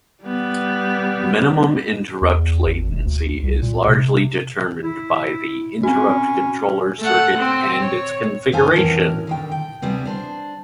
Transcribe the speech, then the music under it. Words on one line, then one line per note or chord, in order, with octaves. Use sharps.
Minimum interrupt latency is largely determined by the interrupt controller circuit and its configuration.
G3 B3
E2
G#1
E1
D2
C2
A#2
C3
E4
C4 C#4 F#4
A3 F#5
C4
C#5
F#2 D#3 A4 C5 F5 G#5
F2 A2 E3 C#4 A#4
D3 D#3 G5
G5
D2 C3 G3 B3 G#4
D4 A#4 C5